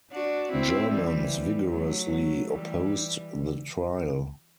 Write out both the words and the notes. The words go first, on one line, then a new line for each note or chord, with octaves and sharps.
Germans vigorously opposed the trial.
D4 F#4
C4 E4
E3 G3
F#3 A3
E3 G3